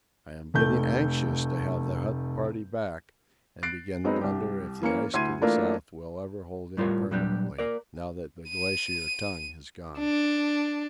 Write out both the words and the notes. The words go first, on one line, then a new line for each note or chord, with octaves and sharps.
I am getting anxious to have the hut party back, and begin to wonder if the ice to the south will ever hold in permanently now that the Glacier Tongue has gone.
F1 A3 G6
F#6 A6 C7 D7
F#3 G#3 B3 C4 D#4
C2 G4
E3 A#3 C#4 C#7
D2 E4 C6 G#6 D#7
E3 A3 A#3 D4 F4 A#4
A2 G3 F4 A#4 C#5
A#2 F#3 G3 D4 G4
A#3 A#4 D5
D#7
D4